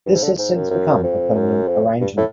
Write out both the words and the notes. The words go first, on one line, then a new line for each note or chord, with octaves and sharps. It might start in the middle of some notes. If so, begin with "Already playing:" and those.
This has since become a permanent arrangement.
G2
G#2
D3
G#2
F#2
F#2
F2
F#2
F2
G2
A2